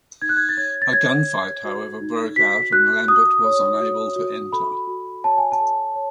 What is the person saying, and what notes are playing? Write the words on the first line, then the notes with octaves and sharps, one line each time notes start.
A gunfight however broke out and Lambert was unable to enter.
D#4 G#6
F#6
G#6
A6
C#5 G#6
A6
C#5 G#6
C#5
F#4
D#4
F#4 B6
F#4 F#6
F#4 D#6
C#5
F#4
F#4
A4 B5
F#4
C#5 A5
G#5
A5
A4
C#5